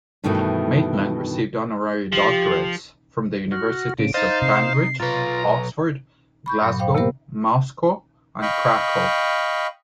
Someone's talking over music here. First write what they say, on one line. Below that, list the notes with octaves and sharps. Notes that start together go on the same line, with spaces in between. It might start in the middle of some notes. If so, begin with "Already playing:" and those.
Maitland received honorary doctorates from the universities of Cambridge, Oxford, Glasgow, Moscow and Cracow.
G2 B2 D#3 E3 G3 A3
F3 G4
F#4 F6
A2 C#3 D7
D#4 C5 D#5 F5 A6
C3 C7
B1 F4 B4 A#5
B5 C#6 G6
G2 A#2 F#3
A#2 C5 F5 G5
C3 A#3 B3 G4 A#4 C5
D#5 F5 G5 B5 C#6